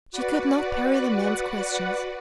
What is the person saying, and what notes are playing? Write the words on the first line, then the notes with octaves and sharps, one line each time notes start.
She could not parry the man's questions.
F#4 B4 D5 F#5